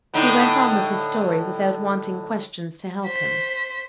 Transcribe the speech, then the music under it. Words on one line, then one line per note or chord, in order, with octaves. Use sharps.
He went on with his story without wanting questions to help him.
A2 D3 D#4
C5 B6